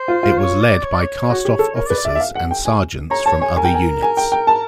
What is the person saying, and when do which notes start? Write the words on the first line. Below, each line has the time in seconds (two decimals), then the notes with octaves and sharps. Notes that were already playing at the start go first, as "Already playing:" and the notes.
It was led by cast-off officers and sergeants from other units.
Already playing: C5
0.08 F4
0.23 F4
0.38 C#5
0.62 D5
0.84 C#5
0.93 D5
1.03 C#5
1.30 F#4
1.45 G4
1.59 A4
1.75 A#4 C#5
1.86 D5
1.90 B4
1.98 D5
2.05 E5
2.09 D5
2.15 E5
2.20 F5
2.35 F#5
2.51 G5
2.65 G#5
3.11 C#5 A#5
3.26 C#5 A5
3.41 C#5 G#5
3.56 A#4 G#5
3.65 G5
3.74 G#5
4.02 G#5
4.17 G5
4.32 G5
4.47 A5